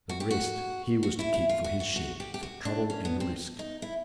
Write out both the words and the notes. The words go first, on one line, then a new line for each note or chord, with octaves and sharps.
The rest he was to keep for his share, for trouble and risk.
F#4
G4
F#4
F#4
E4
E4
F4
F#4
F#4
F#4
G4
G4
F#4
D4
C#4
B3
C4
D#4
E4